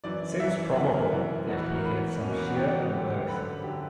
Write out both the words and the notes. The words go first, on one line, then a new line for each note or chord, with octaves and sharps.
It seems probable that he had some share in both.
F#2 E3 D5
F#2 E3 E5
F#2 E3 F#5
A#4
F#2 E3
E2 B2 F#4
E4
F#4
A#4
E2 B2 B4
E2 B2 C#4
A#3
B3
F#4
E2 B2 G4
F#4
F#2 D3 G4
G4
F#2 D3 B4
F#2 D3 G4